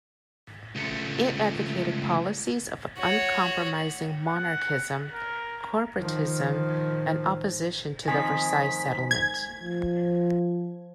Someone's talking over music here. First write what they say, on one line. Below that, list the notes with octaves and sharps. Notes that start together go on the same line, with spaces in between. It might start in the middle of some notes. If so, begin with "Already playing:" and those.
It advocated policies of uncompromising monarchism, corporatism, and opposition to the Versailles settlement.
C#2 A3
F#4 C#5
F#5
A#4
D#3 F3
D#3 F3 C4 G#5 B6
G#6
F3